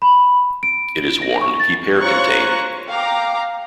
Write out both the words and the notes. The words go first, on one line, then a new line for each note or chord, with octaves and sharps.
It is worn to keep hair contained.
B5
D7
A#6
C#6
A6
F4 C5 C#5 A#5 C#6 F#6
F5 G5 A#5 D6